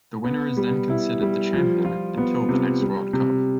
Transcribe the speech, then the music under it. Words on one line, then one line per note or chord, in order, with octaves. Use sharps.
The winner is then considered the champion until the next World Cup.
B3
G3
E4
G3
F3
F4
B3
C3
G3
C3